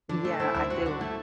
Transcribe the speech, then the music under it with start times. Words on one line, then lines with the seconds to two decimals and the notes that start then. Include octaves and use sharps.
Yeah, I do.
0.09 D3 D4
0.25 A3 D4
0.40 C4 E4
0.55 D2 C4
0.70 C4 F#4
0.86 D3 F#4
1.01 A3 E4